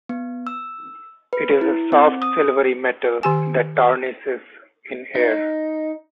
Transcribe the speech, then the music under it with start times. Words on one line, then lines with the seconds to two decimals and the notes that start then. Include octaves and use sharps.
It is a soft silvery metal that tarnishes in air.
0.09 B3
0.47 E6
1.33 B4
1.61 E4
1.92 C4
2.22 D#6
3.23 D#3 G4 G#5
5.15 D#4